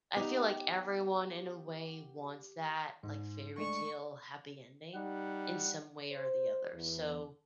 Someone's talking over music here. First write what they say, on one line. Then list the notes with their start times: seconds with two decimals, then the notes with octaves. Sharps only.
I feel like everyone, in a way, wants that, like, fairytale happy ending, in some way or the other, so,
0.17 B3 D#4 G4 F#5
3.03 G#2
3.58 G#3 A3 D4 C#6
4.95 G3 D#4 F#5
6.11 C5
6.73 E2